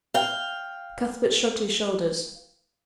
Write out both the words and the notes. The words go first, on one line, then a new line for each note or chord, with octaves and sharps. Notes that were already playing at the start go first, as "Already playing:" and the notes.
Cuthbert shrugged his shoulders.
F5 G5